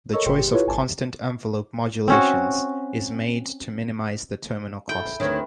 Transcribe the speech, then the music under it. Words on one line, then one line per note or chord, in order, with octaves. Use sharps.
The choice of constant envelope modulations is made to minimize the terminal cost.
A4 A#4 C#5 D#5 C#6 E6
G1 A#2 G#4 G5 C6 C#7
G4
E4 F4 G4 A4 B4 C#5
G#1 G#5 A5
C4 C#4 F#4
E4 G#4 A4 G5
D2 D#3 C4 B4 C#5